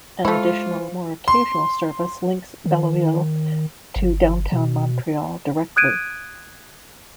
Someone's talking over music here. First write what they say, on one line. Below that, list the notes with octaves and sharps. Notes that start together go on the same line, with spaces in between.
An additional, more occasional service links Beloeil to downtown Montreal directly.
G#3 A3 E4 F4 C5
C6
D#3
G1
B2
D#6 F#6 G#6 D7 D#7